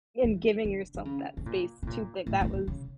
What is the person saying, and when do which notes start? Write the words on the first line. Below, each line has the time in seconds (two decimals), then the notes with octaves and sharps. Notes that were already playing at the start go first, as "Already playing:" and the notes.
And giving yourself that space to think that was
0.24 E3
0.65 D3
0.95 D3
1.05 C#3
1.37 C#3
1.46 A#2
1.83 C#3
1.87 A#2
2.27 A2
2.41 A2
2.53 A#2
2.67 C#3